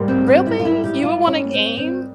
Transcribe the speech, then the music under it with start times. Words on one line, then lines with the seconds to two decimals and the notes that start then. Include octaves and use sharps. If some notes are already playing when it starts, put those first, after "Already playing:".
Really? You would wanna game?
Already playing: G#2 G3 A#3
0.08 C4
0.28 C4
0.47 E4
0.59 F4
0.65 E4
0.84 G4
1.03 F4
1.27 C#4
1.53 C4
1.77 C4